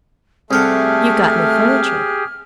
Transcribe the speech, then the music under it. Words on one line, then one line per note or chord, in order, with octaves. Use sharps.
'You've got new furniture.'
C2 A3 G4 G#4 F5 F#5 F6